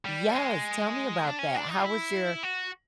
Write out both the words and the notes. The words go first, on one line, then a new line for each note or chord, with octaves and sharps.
Yes, tell me about that, how was your
G3
G#3
D4
C#4
D4
D#4
F4
E4
F#4